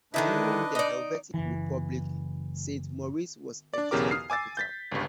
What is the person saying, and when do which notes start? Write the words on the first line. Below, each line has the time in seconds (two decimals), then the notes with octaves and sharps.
During the Helvetic Republic Saint-Maurice was a District capital.
0.14 D3 D#3 D4 E4 B4 D#5
0.75 D#4 D5
1.34 F#1 E3
3.74 D4 D5
3.91 B1 E2 C#3 G4 A#4 D6
4.11 D#6 F6 C7
4.30 G#5 D6 E6 A6
4.57 G6 A6 B6
4.92 G1 C#2 G2